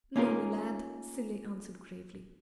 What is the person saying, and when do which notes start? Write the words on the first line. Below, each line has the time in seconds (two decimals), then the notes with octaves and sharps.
"No, me lad," Cilley answered gravely.
0.16 A#3 C#4 D#4 F4 G#4 A#4